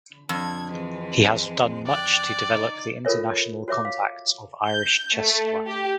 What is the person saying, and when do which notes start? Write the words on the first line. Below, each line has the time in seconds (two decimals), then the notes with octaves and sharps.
He has done much to develop the international contacts of Irish chess life.
0.29 F2 D4 G#6
0.69 E3 G#3 C4
1.87 D5 G5 F#6
2.49 D#4
3.05 F4 A4 A#4 C#5 E5
3.68 F#4 C#5 E5 D6
3.85 F5
4.67 G6
5.15 A3
5.67 G4